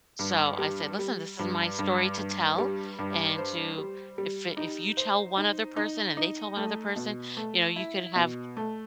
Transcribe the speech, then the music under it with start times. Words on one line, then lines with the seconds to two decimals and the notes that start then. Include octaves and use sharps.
So, I said, "Listen, this is my story to tell, and to if if you tell one other person and they tell one other person, you know, you could have"
0.19 G2
0.58 G3
0.99 G3
1.39 G2
1.79 G2
2.18 G2
2.58 G3
2.99 G2
3.38 C5
3.78 G3
4.18 G3
4.57 D#4
4.97 C5
5.37 D#4
5.76 D#4
6.17 D#4
6.57 A3
6.96 B2
7.37 A3
7.76 E4
8.16 B2
8.57 A3